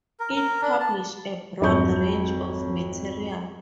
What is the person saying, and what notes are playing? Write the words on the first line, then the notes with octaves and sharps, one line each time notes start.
It published a broad range of material.
A#4
A#4
D4
A5
G#1 F2 F#3 C#5 C#6 G6